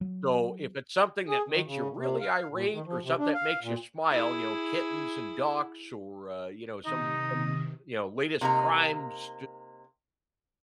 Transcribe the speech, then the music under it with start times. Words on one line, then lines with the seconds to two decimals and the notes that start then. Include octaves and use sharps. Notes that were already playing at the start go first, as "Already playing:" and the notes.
So if it's something that makes you really irate or something that makes you smile, you know, kittens and ducks or, uh, you know, some some, you know, latest crimes,
0.01 F#3
1.29 G#4
1.48 D#3
1.66 C#3
1.97 C3
2.20 F5
2.51 A#2
2.73 D#3
2.86 F3
3.03 C3
3.18 D4
3.34 F5
3.63 A#2
4.11 E4 G#4
6.86 C3 D#3 D#4 D#5
8.41 C3 A#3 D#4 A#5